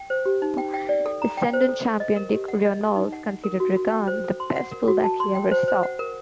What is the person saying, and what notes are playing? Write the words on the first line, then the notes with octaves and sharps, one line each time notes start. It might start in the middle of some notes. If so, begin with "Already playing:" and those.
Essendon champion Dick Reynolds considered Regan the best full-back he ever saw.
Already playing: G5
C5
G4
D#4
G5
G5
D5
A4
A#5
G5
C5
A4
A4
D#5
A#4
G4
F#5
D#5
A4
D#4
F#5
F#5
A#4
F#4
F#4
G5
C5
A4
C6
F#5
A#4
F#4
A5
C6
G5
C5
C5
F#5
A#4